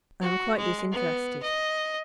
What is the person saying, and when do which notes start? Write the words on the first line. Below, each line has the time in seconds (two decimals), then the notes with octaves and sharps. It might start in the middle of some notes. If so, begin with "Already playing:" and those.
I am quite disinterested.'
0.21 F#4
0.57 G#3
0.92 B3
1.42 D#5